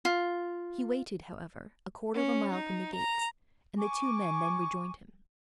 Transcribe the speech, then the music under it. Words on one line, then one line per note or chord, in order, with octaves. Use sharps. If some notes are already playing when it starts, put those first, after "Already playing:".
He waited, however, a quarter of a mile from the gates, and the two men then rejoined him.
F4
C#4
D#4
A#5
G#5 C#6 D6